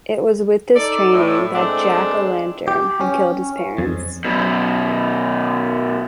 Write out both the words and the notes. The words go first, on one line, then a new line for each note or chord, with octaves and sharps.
It was with this training that Jack O'Lantern had killed his parents.
D#4 A4 D5
A2
G#3 A3 C4 D4
G4
C#4
F2
F#2 B2